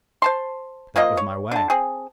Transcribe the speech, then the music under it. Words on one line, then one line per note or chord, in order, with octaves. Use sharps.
That was my way.
C5 A5 C6
F3 A#3 F4 D#5
C#5
D3 A5
C4 G#4